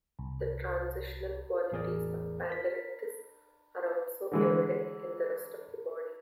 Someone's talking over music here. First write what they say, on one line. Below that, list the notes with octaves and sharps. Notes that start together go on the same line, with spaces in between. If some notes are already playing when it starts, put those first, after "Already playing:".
The transitional qualities of "Panderichthys" are also evident in the rest of the body.
C2
A1 E2 G#4 A#4 D5
A#4 B6
D3 E3 G#3